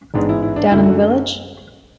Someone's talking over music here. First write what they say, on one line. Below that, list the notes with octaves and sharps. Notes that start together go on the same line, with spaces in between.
Down in the village?
A1 G#2 G#3 B3 D4
E4
E4
D4
F#2 D3 A3 E4
F#4